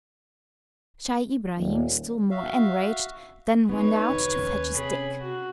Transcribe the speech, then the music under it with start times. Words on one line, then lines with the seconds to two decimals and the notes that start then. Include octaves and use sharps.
Scheih Ibrahim, still more enraged, then went out to fetch a stick.
1.57 D#1
2.31 F#4 E5 F5
3.69 B3 C4 D#4 B4 C#5
4.09 B1 E2 D3
4.38 D#2 C#4
4.75 C3 G#4 B5
5.20 F#4